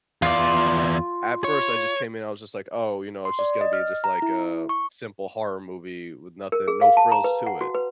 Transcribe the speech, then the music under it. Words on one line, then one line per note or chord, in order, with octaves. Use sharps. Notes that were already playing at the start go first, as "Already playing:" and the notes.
at first, I just came in, I was just like, "Oh, you know, it's just gonna be just, like, a simple horror movie with nothing no frills to it."
E2 F4 D5
C#5
C6
D5
D#5
F6
A#5
E4
C#6
A#4
G#4
F5
A5
A#5
B4
F#5
F#4
B4